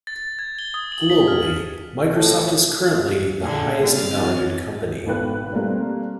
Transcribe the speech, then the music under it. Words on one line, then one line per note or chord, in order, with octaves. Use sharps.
Globally Microsoft is currently the highest valued company.
A6
G#6
G7
D#6
F#7
B6
F6
A2
A#2 D3 G#4
G3 C4 F6 A6
E3 F#3
G#1 B2 A4 B4 G5 F#6
G3 A3 A#3 C4